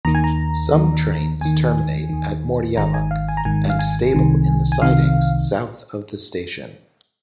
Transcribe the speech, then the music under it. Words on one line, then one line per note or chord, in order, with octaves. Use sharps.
Some trains terminate at Mordialloc and stable in the sidings south of the station.
D#2 D#3 A#5
G#5
A#5
D#2 D#3
D#2 D#3 G#5
D#2 D#3
G#1 G#2 D#3 A#5
G#5
F5
G#5
A#5
G#1 G#2 D#3 G#5
F5
G#5
C2 C3 D#3
G#5
C2 C3 D#3 F5